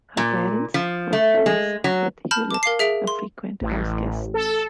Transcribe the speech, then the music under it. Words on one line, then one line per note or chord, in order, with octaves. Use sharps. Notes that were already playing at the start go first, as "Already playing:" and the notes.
Her parents were friends with Hulett, a frequent house guest.
A#2
F3
A3
G#3
F#3
A5 B5 F6 G6
A5 D6
A#4 F5 D6 C7
G#4 E5 D7 F7
C6
A1
A4